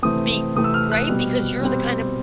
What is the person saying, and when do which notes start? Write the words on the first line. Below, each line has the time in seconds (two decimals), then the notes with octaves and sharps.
be Right? Because you're the kind of
0.03 C3 E3 A3 C4 D#6
0.55 C3 E3 A3 C4 D#6
0.64 E6
0.74 F6
0.92 F#6
1.09 B2 G3 C4
1.61 B2 G3 C4